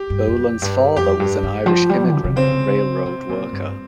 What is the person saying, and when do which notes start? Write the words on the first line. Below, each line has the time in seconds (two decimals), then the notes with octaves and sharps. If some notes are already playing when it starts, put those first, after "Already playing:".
Boland's father was an Irish immigrant railroad worker.
Already playing: G4
0.10 G2
0.28 F2
0.62 G2
0.96 F2 G4
1.20 G2
1.43 G2
1.66 F3
1.89 G3
2.13 C#3
2.24 C3
2.36 C#3 C4
3.06 C3
3.29 A#2
3.53 G2